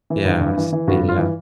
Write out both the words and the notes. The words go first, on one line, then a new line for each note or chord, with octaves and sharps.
Yes, the, uh
E3
G2
G2
E3
E3
G2 F#4
G2
F4
E3